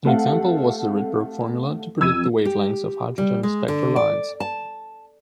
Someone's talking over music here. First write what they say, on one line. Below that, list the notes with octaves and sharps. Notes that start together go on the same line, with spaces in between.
An example was the Rydberg formula to predict the wavelengths of hydrogen spectral lines.
A3 C4 G4 A4 F5 F#5
F2 E6 G#6 D#7
G4
G3
G#3
D3
D5
A5